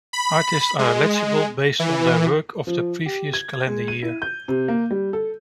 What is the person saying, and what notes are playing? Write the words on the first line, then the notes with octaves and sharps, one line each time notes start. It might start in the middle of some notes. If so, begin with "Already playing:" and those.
Artists are eligible based on their work of the previous calendar year.
B5
G#3
E3
F3
G4
G#6
G#3
D#7
E4
G6
C3
A#3
G3
A4